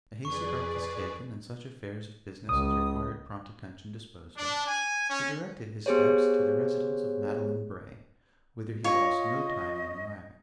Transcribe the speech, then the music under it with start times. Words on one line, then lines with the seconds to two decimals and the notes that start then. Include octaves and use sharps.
A hasty breakfast taken, and such affairs of business as required prompt attention disposed of, he directed his steps to the residence of Madeline Bray: whither he lost no time in arriving.
0.25 F2 G#4 B4 D5 C#6
2.49 C#2 D#6
4.36 D4
4.67 G#5
5.08 C#4
5.86 B3 G4 G#4 C5 C#5
8.84 F4 C#5 D#5